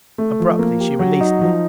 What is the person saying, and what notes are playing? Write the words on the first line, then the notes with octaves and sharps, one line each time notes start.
Abruptly she released me.
A3
F3
A#3
G4
F#3
D#4
F3